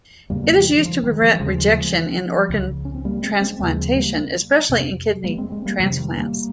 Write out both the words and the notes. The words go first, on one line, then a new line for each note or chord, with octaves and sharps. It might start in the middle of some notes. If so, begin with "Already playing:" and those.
It is used to prevent rejection in organ transplantation, especially in kidney transplants.
F2 C#3 G3 A#3
G3 A#3
F3 G#3
F3
F3
D#3 G3
F3 G#3
G3
D#2 C#3 F3 G#3
F3 G#3
A#3
F3 G#3
F3
C#2 C#3
C#4
C4
G3 A#3
G#3 C4
G#3 C4
D#2 C#3 G3 A#3
F3 G#3
G3 A#3
F2 C3
G3 A#3
G#3 C4
G#3 C4
G3 A#3
F2 C3 F3 G#3
D#3 G3
G3 A#3